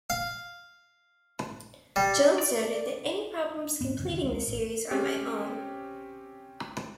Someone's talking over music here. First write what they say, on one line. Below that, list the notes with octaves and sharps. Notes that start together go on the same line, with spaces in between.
Jones noted that Any problems completing the series are my own.
F5
G3
D5
D#1 E2 G#2 B3
C#2 F#2 D#3
F1 C2 D#3
D#2 G#3
A1
C4 C#4 G4 C#5